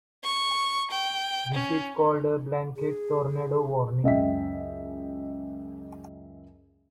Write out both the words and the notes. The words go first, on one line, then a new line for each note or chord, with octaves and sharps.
This is called a blanket tornado warning.
C#6
G5
C#4
G#4
C#2 F#2 D#5 E5 G5 B6